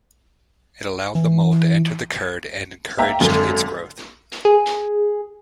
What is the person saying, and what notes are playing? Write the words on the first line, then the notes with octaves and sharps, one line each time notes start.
It allowed the mold to enter the curd and encouraged its growth.
E3
A#3 E5 G5 A#5
G#1 F#2 D3
G#4